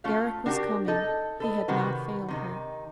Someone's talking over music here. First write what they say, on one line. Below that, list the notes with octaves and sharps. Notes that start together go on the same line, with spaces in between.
Deryck was coming. He had not failed her.
A3 C#4 F4 F#4 F5
D4 F#4 G4 A#4
D#4 A4
A4 B4 D#5
C3 D#3 F#4 B4
C3 D#3 D#4